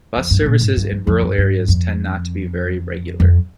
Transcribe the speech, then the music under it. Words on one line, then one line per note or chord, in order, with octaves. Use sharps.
Bus services in rural areas tend not to be very regular.
F2
G2
C3
A#2
G#2
G2
F2
F2
G2
G2
F2
F2